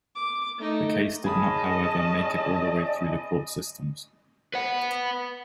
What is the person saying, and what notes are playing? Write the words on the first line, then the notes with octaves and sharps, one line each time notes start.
The case did not however make it all the way through the court systems.
D6
A3 D#4
C#4 G#4 D#5 A5 B5 D#6
B4 F#5